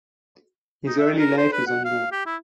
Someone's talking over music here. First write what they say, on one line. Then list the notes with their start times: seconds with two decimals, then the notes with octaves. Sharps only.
Her early life is unknown.
0.86 D#4
0.98 E5
1.19 A#4
1.37 C5
1.52 B4
1.67 F#5
1.85 F5
2.12 G4
2.26 E4